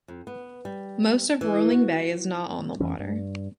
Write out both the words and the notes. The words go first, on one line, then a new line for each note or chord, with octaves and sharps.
Most of Rolling Bay is not on the water.
F2
B3
G3
E3
F#4
F2 E3 C#4
G2